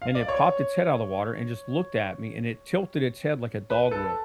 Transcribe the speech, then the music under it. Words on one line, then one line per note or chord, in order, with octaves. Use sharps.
and it popped its head out of the water and just looked at me, and it tilted its head like a dog will
F5
D5
C#5
B4
A4